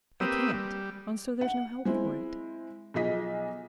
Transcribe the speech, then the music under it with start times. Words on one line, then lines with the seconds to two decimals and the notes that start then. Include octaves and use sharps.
"I can't! and so there's no help for it."
0.20 A#3 C4 G4 B4 D#6 E6
0.54 G3
1.41 F#5
1.85 G#3 C4 E4
2.94 B1 F3 G#4 D#5 B6